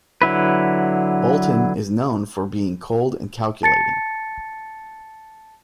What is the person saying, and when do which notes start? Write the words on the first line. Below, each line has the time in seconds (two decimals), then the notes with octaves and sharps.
Bolton is known for being cold and calculating.
0.22 D3 F#3 E4 B4
3.63 A5 A6 C#7